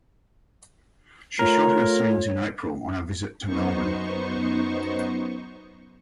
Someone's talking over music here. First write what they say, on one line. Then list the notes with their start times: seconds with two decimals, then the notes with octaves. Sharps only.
She shot her scenes in April on a visit to Melbourne.
1.39 A3 F4 A#4 C#5
3.45 F#2 B3 D#4 C5 C#6